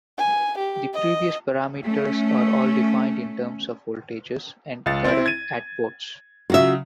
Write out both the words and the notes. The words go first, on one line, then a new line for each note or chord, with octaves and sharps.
The previous parameters are all defined in terms of voltages and currents at ports.
G#5
G4
D#5
A3 C#4
C#2 A6
C4 E4
G#6 D#7
C#3 F#3 F4 F#4 E5